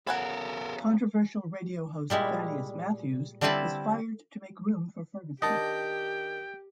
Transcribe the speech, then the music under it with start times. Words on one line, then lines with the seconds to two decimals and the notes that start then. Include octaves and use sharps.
Controversial radio host Thaddeus Matthews was fired to make room for Ferguson.
0.07 E2 C#3 F#3 A4 A#4 F#5 G#5 B5
2.10 A#2 G3 G#3 E4
3.41 D3 G3 C4 E4 B4 A5
5.42 D#3 D4 G4 D#5 G5 A5